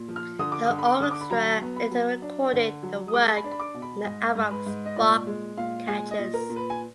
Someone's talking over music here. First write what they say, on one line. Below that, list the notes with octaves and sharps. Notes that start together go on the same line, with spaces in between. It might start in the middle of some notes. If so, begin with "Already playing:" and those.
The orchestra later recorded the work on their album "Spark Catchers".
Already playing: A#2
F3
F6
D3 D#6
D6
D3 D#6
B5
D6
D3 D#6
D6
B5
F#3 A#5
B3
B5
F#3
D4
D3
F#3
D#6
G#3 D6
B5
D4
B5
D6
B2
B5
G#2 D#5
G#2
B4
G#2
D#5
A#2 D5
G#3
A#2 F5
G#3 G#5
D#5
A#2
A#4
A#2
B4
G#5